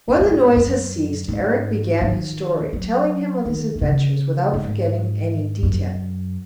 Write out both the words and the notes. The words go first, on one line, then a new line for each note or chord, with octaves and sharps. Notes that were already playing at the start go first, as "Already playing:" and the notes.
When the noise had ceased, Erec began his story, telling him of his adventures, without forgetting any detail.
F#2
G#2
F#2
G#2
D#3
F#3
D#3
D#3
C#3
G#2
F#2